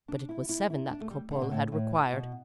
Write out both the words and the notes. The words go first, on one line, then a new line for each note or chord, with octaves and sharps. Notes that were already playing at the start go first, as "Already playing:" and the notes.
But it was seven that Cropole had required.
D4
E4
E4
E4
D4
A3
G3
D3
B2
A2
A2
B2